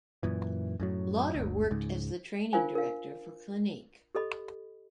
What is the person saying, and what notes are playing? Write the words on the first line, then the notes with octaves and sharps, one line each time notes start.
Lauder worked as the training director for Clinique.
F#2 A#2 E3
F#2 A2 F#3
G1 D2
C#2 G#2
D4 F4 A#4 C5 F5 G#5
A#4 F5
G4 A4 D#5 B5